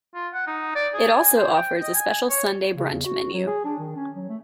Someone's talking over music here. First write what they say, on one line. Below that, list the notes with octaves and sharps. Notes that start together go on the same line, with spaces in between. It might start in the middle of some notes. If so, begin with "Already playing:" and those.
It also offers a special Sunday Brunch menu.
F4
F#5
D#4
D5
G#4
G#5
C5
G5
D#5
G#5
C#5
C#3
E2
F#4
F#3
G#4
D4
D#3
C#4
F#3
A3